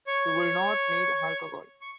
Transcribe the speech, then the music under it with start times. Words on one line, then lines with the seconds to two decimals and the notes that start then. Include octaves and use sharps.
You will not need alcohol.
0.07 C#5 C#6
1.82 C#6